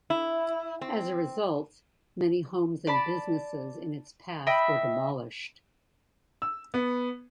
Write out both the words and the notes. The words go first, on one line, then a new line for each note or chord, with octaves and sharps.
As a result, many homes and businesses in its path were demolished.
E4
C4
D5 A5 B5
D#5 E5 G5 B5
E6
B3